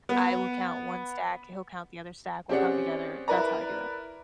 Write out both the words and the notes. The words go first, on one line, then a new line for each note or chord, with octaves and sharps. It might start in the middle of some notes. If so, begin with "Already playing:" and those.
I will count one stack; he'll count the other stack. We'll come together; that's how I do it.
B3
C4 C#4 G4 G#4 D5 F#5
E4 A#4 B4 D5 A#5